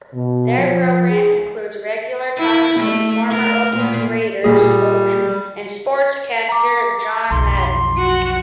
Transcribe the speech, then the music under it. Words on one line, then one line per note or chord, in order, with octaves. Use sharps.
Their program includes regular talks with former Oakland Raiders coach and sportscaster John Madden.
B2
F3
G#4
E4
A3
A#4
A#2
A#2 G3 G#4
A#5 D6
B1 F2 C6
F#4